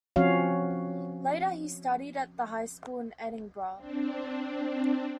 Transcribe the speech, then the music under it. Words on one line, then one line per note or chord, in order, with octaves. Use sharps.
Later he studied at the High School in Edinburgh.
F3 C4 C#4 F#4 C#5 F5
C4 D4